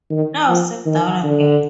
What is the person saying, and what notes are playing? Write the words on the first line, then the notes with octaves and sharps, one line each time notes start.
Now sit down again.
D#3
F3
D#3
D3